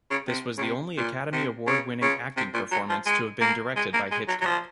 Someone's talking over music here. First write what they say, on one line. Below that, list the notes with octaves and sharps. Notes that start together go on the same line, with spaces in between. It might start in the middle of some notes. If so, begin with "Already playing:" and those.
This was the only Academy Award-winning acting performance to have been directed by Hitchcock.
C#3
C3
C#3
C3
A#2
C3
C#3
C#3
C3
A#2
F#3
F3
G#3
A#3
G#3
A#3
G#3
F#3
F#3
F3